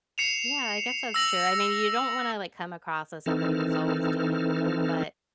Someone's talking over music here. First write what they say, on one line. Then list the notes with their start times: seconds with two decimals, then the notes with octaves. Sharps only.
Yeah. I guess that's true. I mean, you don't wanna, like, come across as somebody who's always doom and gloom, but,
0.18 C7 C#7 E7 F7
1.14 E6 A#6 F#7
3.26 E3 C4 D#4 A4 F6